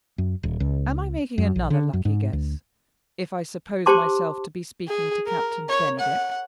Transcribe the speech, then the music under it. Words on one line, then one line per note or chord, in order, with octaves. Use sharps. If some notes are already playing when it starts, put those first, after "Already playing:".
"Am I making another lucky guess if I suppose myself to be speaking to Captain Bennydeck?"
F#2
D#1
C#2
F#2
A#1
D3
F#2
G#2
D2
G4 C5 A5 C6 D6
G#4
A#4
C#5
F#5